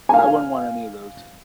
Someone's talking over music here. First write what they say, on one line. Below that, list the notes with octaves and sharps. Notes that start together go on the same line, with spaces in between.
I wouldn't want any of those.
F5 G#5